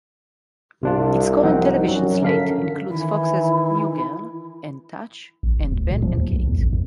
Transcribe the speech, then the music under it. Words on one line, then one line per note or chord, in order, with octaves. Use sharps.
Its current television slate includes Fox's "New Girl", and "Touch" and "Ben and Kate".
C2 C3 D4 F4
F3 C4 D#4 F#5
F#2 F#3
D3 C#4 A4 A#4 F5 B6
D#3 E3 E4
A1
E1
D2
A#2
F3
D#2
C2
E2
A1
F2